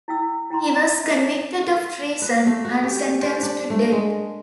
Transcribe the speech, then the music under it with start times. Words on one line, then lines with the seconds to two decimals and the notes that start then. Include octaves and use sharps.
He was convicted of treason and sentenced to death.
0.08 E4 F5 G5 E6
0.50 E4 G5 A#5 C6
1.04 C#4 E5 F5
1.72 F5
2.22 B4
2.47 A3
2.65 F#4
2.84 G4
3.22 C5
3.43 D4
3.70 A3
3.92 G#3